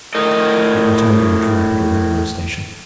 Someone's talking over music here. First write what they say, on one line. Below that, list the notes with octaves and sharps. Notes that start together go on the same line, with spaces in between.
The automobile drew up at a railroad station.
A2 A#4 D#5